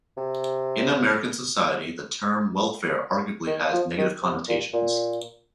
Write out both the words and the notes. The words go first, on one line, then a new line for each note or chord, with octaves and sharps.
In American society, the term "welfare" arguably has negative connotations.
C3
D#3
F3
D#3
C3
A#2
A#2